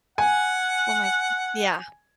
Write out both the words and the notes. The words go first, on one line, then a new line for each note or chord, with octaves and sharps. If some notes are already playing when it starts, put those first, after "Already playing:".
Oh, my g yeah.
F#5 G#5